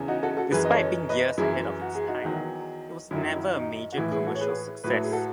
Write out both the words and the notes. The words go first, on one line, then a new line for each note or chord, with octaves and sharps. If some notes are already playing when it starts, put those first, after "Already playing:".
Despite being years ahead of its time it was never a major commercial success.
Already playing: E2 C#3 E3
D#4 F#4
F#4 A4
F#4 A4
F#2 E3 G#4 B4
D#5
A4 C#5
B4 D#5
F#2 E3 E4 G#4
F#4
G#4
D#4 F#4
E2 D#3 F#3
F#2 D#3 F#3 E4
D#4
E4
D#4
F#4
A2 E3 E4
E4 G#4
F#4 A4
C#5
G#4 B4
A2 F#3 B4
A4
G#4
F#4 A4